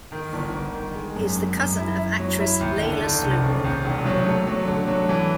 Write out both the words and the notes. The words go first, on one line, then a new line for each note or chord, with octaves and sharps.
He is the cousin of actress Lala Sloatman.
D#3
G1
G1
D#3
G#3
F#2
F#2
F#2
E4
E4
F#3
E4
D#2
D3
D3
F1
C#3
D#2
E1
F#3
A3
F#3
D3
F#3
E3